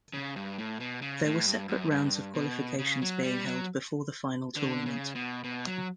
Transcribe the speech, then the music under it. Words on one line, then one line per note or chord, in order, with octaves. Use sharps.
There were separate rounds of qualifications being held before the Final Tournament.
C#3
G2
A2
B2
C#3
A2
G2
F#2
G2
B2
C#3
F#3
G3
F#3
D3
C#3
B2
B2
F#3